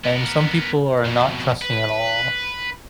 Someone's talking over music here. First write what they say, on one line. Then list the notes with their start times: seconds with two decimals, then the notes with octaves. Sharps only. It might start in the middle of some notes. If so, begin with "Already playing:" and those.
and some people are not trusting at all,
0.04 B3 A#4
1.05 F2 B2
1.62 B4